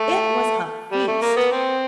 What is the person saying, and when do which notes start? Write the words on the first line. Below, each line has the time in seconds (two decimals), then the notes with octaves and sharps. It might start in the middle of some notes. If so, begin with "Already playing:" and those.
It WAS a feast!
Already playing: A3
0.92 G3
1.07 A3
1.22 A#3
1.37 B3
1.52 C4